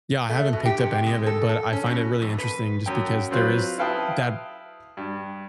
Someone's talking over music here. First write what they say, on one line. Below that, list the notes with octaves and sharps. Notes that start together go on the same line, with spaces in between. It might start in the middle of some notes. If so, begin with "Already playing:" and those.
Yeah, I haven't picked up any of it, but I find it really interesting just because there is that
A3
B2
G4
C3
G#3
A4
A4
C#4
B2
F2
B4
F#2 G5
F#3 C4 F4 B4
E4 B4 F5 G5 A5 D#6
G2